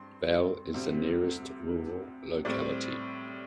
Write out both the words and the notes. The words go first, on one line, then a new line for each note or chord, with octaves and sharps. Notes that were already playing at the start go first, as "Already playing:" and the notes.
Val is the nearest rural locality.
Already playing: G2 C4 C6
D2 C3 G3 C4
A2 G3 C4 D5